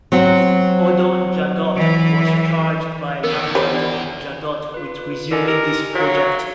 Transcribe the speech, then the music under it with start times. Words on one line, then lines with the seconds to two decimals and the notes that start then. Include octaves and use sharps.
Odon Jadot was charged by Lambert Jadot with resuming this project.
0.12 F#3 C4 F#4
1.76 E3
3.24 C#3 B3 A#4
3.38 E2
3.55 G4 C5 C#5 B5
3.75 D4 D5
4.74 F4 B4
5.31 D3 A#4 D#5 G#5
5.48 G4 A#4
5.95 F#3 C#5 F5 A#5